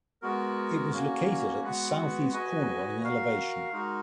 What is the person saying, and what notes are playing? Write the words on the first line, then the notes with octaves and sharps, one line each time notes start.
It was located at the southeast corner on an elevation.
G#3 B3 F#4 A#4
A#3 C#4 F#4
G#3 B3 F#4 B4 F#5
F#4 B4 D#5 G#5
F#4 A#4 F5
G#3 D#4 F#4 A#4